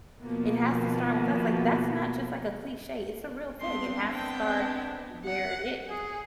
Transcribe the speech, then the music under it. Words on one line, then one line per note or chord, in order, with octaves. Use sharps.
it has to start with us. Like, that's not just, like, a cliche, it's a real thing. It has to start where it is.
B2 D#3 F3 A#3 B3
B3 C4 D4 C6
G5
F#5
G#4